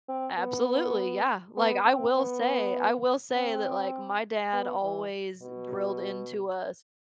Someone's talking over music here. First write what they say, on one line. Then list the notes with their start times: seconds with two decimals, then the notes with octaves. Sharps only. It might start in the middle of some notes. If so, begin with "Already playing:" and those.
Absolutely, yeah, like, I will say I will say that, like, my dad always drilled into us,
0.08 C4
0.38 B3
1.57 B3
1.86 C4
2.16 B3
3.35 C4
4.53 B3
4.82 E3
5.42 B2